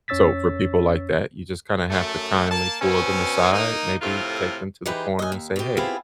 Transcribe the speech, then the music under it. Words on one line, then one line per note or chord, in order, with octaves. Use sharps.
So for people like that, you just kinda have to kindly pull them aside, maybe take them to the corner and say, "Hey,"
F2 C#4 C#5 E6 A6 B6
F#2 A3
A#3 A5
B2 C4 C#4
A#3 D#4
A2 C3 F4 A4 A#4
E3 D#4 G4 G#4 B4 C5
D#5 G#5
D#2
B2 G4
B3 C4 E4 F4 G4 G#4